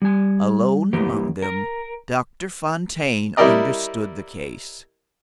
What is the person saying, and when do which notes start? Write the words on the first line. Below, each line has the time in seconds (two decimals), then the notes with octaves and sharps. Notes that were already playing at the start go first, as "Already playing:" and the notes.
Alone among them Doctor Fontaine understood the case.
0.02 G3 G#5
0.93 E3 A#3 G4
1.42 A#4
3.37 G3 E4 A#4 D5 D#5